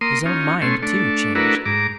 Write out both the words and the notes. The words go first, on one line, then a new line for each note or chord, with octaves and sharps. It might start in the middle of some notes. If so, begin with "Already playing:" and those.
His own mind, too, changed.
A#3 C6 D#6
C#4 D#4 F4
B2 A3 C#4 C6
A3 D4
A3 D4 E4 F#4 A#4 B4
G#2 A#5 D6